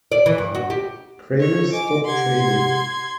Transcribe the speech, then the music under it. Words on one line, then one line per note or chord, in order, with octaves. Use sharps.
Cramer's Stop Trading!
D5
E3
G2
F#4
G4
A4 C#5
D#5 G#5 D6
C3 G4 F#5 C6 G#6